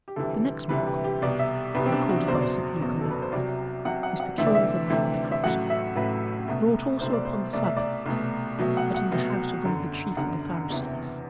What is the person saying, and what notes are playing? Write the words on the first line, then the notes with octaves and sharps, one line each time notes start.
The next miracle--recorded by St Luke alone--is the cure of the man with the dropsy, wrought also upon the Sabbath, but in the house of one of the chief of the Pharisees.
G4
D2 C3 E3 G3 A4
D2 C3 E3 G3 B4
G4
G4
C2 B2 G3 D5
E5
C2 B2 G3 B4
C4
D4
F#4
F#1 E2 B2 F#3 C5
D5
C5
F#1 E2 B2 F#3
A4
B4
C5
C2 C3 F#3 D5
C2 C3 F#3 F#5
F#5
F#5
D2 C3 E3 A3 E5
D5
E5
D2 C3 E3 A3
E5
A1 A2 F#3 A3 F#5
E5
A1 A2 F#3 A3 B4
C2 B2 A3
C2 B2 A3 C5
D5
C5
C2 B2 A3 D5
E5
D5
C2 B2 A3
C2 B2 F#3 A3
F#5
F#5
C2 B2 F#3 A3
G1 F#2 D3
G1 F#2 D3 F#5
F#1 E2 C3 E3